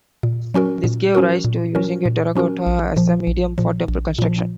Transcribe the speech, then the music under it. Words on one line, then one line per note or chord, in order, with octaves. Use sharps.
This gave rise to using terracotta as a medium for temple construction.
A#2
F#3 C#4 F#4 A#4
A#2
F#3 C#4 F#4 A#4
A#2
F#3 C#4 F#4 A#4
A#2
F#3 C#4 F#4 A#4
A#1
A#2 F3
A#1
A#2 F3
A#1
A#2 F3